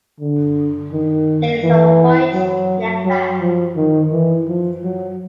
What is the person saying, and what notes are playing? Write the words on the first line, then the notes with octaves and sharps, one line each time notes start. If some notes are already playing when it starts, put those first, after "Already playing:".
There is a white neckband.
D3
D#3
E3
F#3
F#3
F3
D#3
E3
F3
F#3